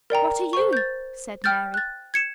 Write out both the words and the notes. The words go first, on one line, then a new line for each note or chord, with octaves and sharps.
"What are you?" said Mary.
A#4 D5 G5 A#5
C5 C#6
G6 A6
G5 F6 G6 A6
F#6 A6
G#6 C#7 E7